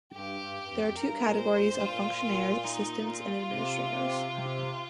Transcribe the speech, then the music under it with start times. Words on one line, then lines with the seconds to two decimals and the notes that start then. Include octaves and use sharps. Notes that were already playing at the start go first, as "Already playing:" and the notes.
There are two categories of fonctionnaires Assistants and Administrators.
0.13 G2 G4
0.41 G2
0.62 G2
0.69 F2
0.89 F2
0.96 G2 A#4
1.24 A#2
1.38 C5
1.52 A#2
1.66 G2
1.80 A#2 F4
2.64 D#4
3.06 F4
3.48 C3
3.90 C3
4.32 C3